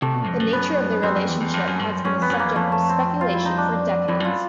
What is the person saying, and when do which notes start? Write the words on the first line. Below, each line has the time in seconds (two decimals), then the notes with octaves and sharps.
The nature of their relationship has been a subject of speculation for decades.
0.02 C3 A3
0.14 B2
0.27 F2
0.40 F#2
0.53 B3
1.03 F#2 C4
1.16 F#2
1.28 E2
1.41 E2
1.54 F2
1.67 F#2
1.79 G2
1.92 F#2
2.05 F#2 C#4
2.18 F2 B3
2.30 F#2
2.39 E2 A#3
2.56 F2 A3
2.72 A3
2.89 C4
3.21 F4
3.33 E4
3.45 D#4
3.57 D4
4.08 F2 E4
4.20 F#2 F4